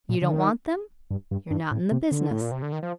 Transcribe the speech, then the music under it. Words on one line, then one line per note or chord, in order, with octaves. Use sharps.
You don't want them--you're not in the business.
A#2
D3
D#3
G2
G2
G2
A2
C3
D3
A2
A#2
C3
D3
D#3
F3